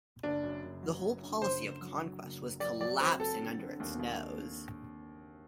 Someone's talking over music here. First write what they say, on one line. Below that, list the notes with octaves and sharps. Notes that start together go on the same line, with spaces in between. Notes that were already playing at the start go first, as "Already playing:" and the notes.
The whole policy of conquest was collapsing under its nose.
F#1 D4
F#2
F#1
F#3
F#2
D3
F#1 C5
F#1
F#3
F#3
F#1
F#1
F#3 D5
F#3 D5
C4 C5
C4 A4
D3
D3
D#2
D#2